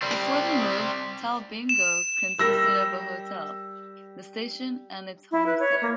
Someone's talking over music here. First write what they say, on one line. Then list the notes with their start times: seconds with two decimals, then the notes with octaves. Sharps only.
Before the move, Talbingo consisted of a hotel, the station and its homestead.
0.02 G3 C4
1.69 E7
2.39 G3 A#4 E6 A#6
5.31 E4
5.46 B4
5.59 C#5
5.82 A#3